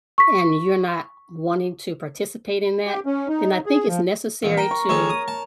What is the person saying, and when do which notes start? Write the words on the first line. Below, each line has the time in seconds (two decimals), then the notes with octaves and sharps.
and you're not wanting to participate in that, then I think it's necessary to,
0.18 C#6 B6
2.87 G4
3.06 C#4
3.28 D#4
3.66 G#4
3.88 F3
4.43 A#1 E2
4.57 A#4 G5
4.71 C#6
4.89 D#3 G#3 A4 C#5
5.10 D#6
5.28 A5